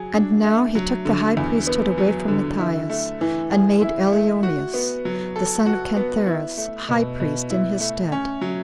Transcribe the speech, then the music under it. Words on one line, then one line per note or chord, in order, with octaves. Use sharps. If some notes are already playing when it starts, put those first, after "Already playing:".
And now he took the high priesthood away from Matthias, and made Elioneus, the son of Cantheras, high priest in his stead.
Already playing: F#3 G#4
D4
A3
F#3
D3
E2
B3
F#3
D3
E4
A3
E3
G#4
E4
A3
F#4
B3
F#3
A4
F#4
B3
E4
A3
B2
B2
E4
A3
C#4
F#3